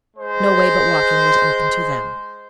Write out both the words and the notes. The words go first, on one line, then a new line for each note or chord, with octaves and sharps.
No way but walking was open to them.
G#3 C5